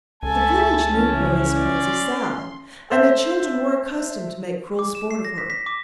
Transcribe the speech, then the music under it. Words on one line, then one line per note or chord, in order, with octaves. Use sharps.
The village knew her as Crazy Sal, and the children were accustomed to make cruel sport of her.
C#2 A4 E5 G#5 A5 B5 C#6
C#3 E3 C#4 E4
D5 C6
A4 C5 E5
D6
E7
C7
A#6
B6
B6
D6